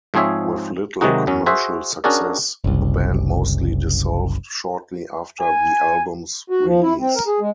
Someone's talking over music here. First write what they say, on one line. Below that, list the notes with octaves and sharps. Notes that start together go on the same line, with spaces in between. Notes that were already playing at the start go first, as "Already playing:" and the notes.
With little commercial success, the band mostly dissolved shortly after the album's release.
G#2 F3 C4 G#4 C#5 E5
C3 D#3 F#3 G#3 D#4 F#4
F#2 F#3 C#4
F#4 G#4 C5 E5
C#4 D4 F#4 G#4 A#4 D5
F#1 C2
G#5
F#4
F3
E4
C4
A#4
G#4
G#3